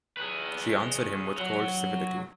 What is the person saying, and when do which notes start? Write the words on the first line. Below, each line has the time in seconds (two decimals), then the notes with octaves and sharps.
She answered him with cold civility.
0.17 G#4 B4
1.37 F#3